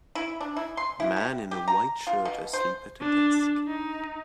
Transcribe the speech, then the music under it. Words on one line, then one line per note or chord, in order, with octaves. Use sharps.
Man in a white shirt asleep at a desk.
E4
D4
E4
C6
E4
G3
G4
A#5
F4
B2
C5
D4
D#4